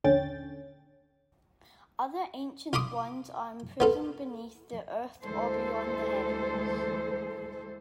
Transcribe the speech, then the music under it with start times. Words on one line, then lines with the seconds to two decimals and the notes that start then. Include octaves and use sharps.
Other Ancient Ones are imprisoned beneath the Earth or beyond the Heavens.
0.04 A#1 D#2 D3 C#4 G5 A6
2.73 F4 B5 C6 D6 D#6
3.80 B3 F4 A4
5.23 D2 E3 G#3 A4 C5